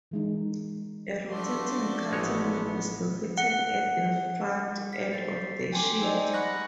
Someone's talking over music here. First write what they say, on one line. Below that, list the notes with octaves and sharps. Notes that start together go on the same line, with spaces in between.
A rotating cutting wheel is located at the front end of the shield.
E3 G#3 D#4
F3 A3 D4 F#4 D5 C6
A1 G#3 B3 C#5
F#5
B6
A4 C5 A6 C7
G5 G#5 C6 D6
D#4 C5 D5 D#5 G#5
F#5 B5 C#6 F#6 A#6